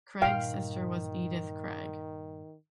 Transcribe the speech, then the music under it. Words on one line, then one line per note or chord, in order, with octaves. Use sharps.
Craig's sister was Edith Craig.
G2 A#2 D#3 F5 G5